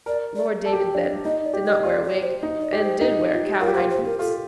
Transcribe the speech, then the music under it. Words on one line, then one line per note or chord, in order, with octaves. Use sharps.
Lord David, then, did not wear a wig, and did wear cowhide boots.
A#4 D5
D5
A4
G4
A4
D4
D#4 D#5
D5
G4
D#5
F4 D5
D5
C5
D#4
D5
G4
C5
D#4 A#4
F4
F4
G4
F4 A#4
G4
F4 C5
C5
A#4
F4 A4